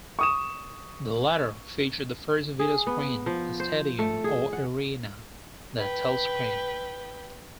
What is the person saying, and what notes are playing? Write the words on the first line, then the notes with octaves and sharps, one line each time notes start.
The latter featured the first videoscreen in a stadium or arena, the Telscreen.
C#6 D#6 E7
G#4
B3
F3
C5
A3
G#4
F#5
B4 G5